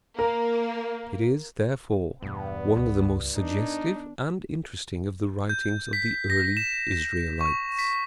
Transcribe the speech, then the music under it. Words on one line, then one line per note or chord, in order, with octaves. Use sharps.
It is, therefore, one of the most suggestive and interesting of the writings of the early Israelites.
A#3 A#4
E2 G2 B2 B3
C#2
D#3 B3 D4 D#4
G6
B6
A#6
E7
C#6
B6